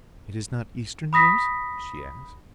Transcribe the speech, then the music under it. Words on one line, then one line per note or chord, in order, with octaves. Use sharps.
"It is not Eastern news?" she asked.
B5 D#6 A#6 B6